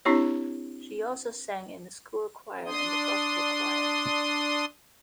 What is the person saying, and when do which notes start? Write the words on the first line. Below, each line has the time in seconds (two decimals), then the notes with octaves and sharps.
She also sang in a school choir and a gospel choir.
0.05 C4 D4 E4 G4 C#5
2.66 D4 C6 D#6